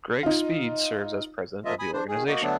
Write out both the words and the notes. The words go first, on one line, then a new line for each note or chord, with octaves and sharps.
Greg Speed serves as president of the organization.
D#4 F4
F3 A#3 F4 D#5 E5
G#5 B5 D#6
D4 C5
D#3 G#4
A#3 D#4 F#4
D3 F#3 A3 B3 D4